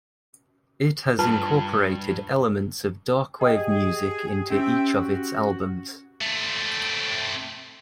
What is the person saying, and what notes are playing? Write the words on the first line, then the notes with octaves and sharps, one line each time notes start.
It has incorporated elements of darkwave music into each of its albums.
G2 F4 B4 A5
G4 G#4 D#5 G5
C4 C#4 E5 G5
F#4
A3 C4